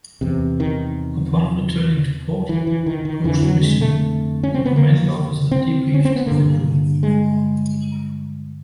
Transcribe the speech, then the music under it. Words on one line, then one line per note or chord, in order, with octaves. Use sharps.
Upon returning to port post-mission, the Commanding Officer debriefed the crew.
E2 C3
D#3
E3
E3
D#3
D#3
F2 D3 E3
F#3
G#3
A3
C#4
C4
B3
A#3
C4
C#4
C4
B3
G2 D3 A#3
G#3